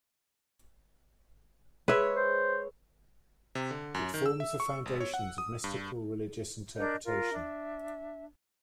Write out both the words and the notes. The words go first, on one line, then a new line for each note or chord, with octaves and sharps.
It forms the foundations of mystical religious interpretation.
G#3 B4 C#5 E5
C5
C3
D3
F#2
D#3
E6
E5
C#6
G#1
C#5
F#5
D#6
G2
D4 A#4 D#5 G6
F4 A#4
D4 E5